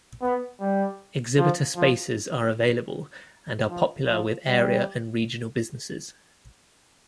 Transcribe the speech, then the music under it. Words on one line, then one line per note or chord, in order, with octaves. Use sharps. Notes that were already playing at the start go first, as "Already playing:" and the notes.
Exhibitor spaces are available and are popular with area and regional businesses.
B3
G3
F3
F3
F3
F3
G3